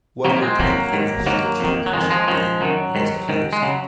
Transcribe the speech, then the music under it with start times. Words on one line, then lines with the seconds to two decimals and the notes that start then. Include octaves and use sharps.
Waddle returned for the National Championship game against Ohio State.
0.25 F2 C3 D#3 F#3 A#3
0.37 A#3
0.42 G#3 C4
0.59 F2 C3 D#3 F#3 A#3
0.93 G#2 D#3
1.26 G#2 D#3 F#3 A#3
1.60 F2 D#3
1.86 F#3
1.93 F2 D#3 F3 G#3
2.10 F3 G#3
2.27 F#2 D#3 F3 G#3
2.61 F#2 D#3 F#3
2.95 G#2 D#3
3.29 G#2 D#3
3.53 G#3
3.62 C#3 F#3